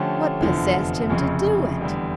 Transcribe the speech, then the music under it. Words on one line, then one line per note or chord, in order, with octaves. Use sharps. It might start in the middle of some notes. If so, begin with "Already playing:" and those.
What possessed him to do it?
Already playing: D3 F3 A3 C#4 G4
F1 E2 D3 F3
F1 F2 C#3
E2 D3 G3